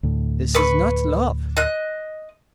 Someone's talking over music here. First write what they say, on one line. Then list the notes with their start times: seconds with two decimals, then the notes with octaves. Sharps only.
This is not love.
0.03 D2 A2
0.55 B4 B5 C#6
1.57 D#5 F#6